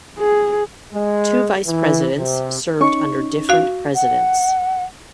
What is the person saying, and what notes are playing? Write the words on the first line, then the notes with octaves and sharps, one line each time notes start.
Two vice presidents served under different presidents.
G#4
G#3
E3
C3
C#4 D#4 C#6
F#4 F5
F#5